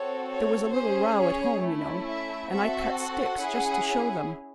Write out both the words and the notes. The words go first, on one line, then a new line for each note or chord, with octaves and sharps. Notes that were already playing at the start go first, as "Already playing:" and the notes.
There was a little row at home, you know, and I cut sticks just to show them.
Already playing: C4 F#4 A4 C#5
C#5
C#4 G#4 C5
C#5
A3 C#4 E4
E5
C4 F#4 A4 E5
F#5
C#4 E4 G#4